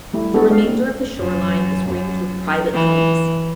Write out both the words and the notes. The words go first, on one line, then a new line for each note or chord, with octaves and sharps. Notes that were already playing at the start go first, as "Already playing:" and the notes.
The remainder of the shoreline is ringed with private homes.
G3 A3 E4
G3 B3 D4 F#4 G#4 A4
G#3 A4 D5 F5
C4
F#2
F#2
E3